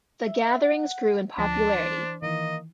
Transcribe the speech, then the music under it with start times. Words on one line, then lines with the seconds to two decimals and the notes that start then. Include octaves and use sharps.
The gatherings grew in popularity.
0.24 E5
0.63 F#5
1.38 D2 F3 D4 A5 A#6
1.75 E3 C5
2.22 D#3 E3 A#3 D#5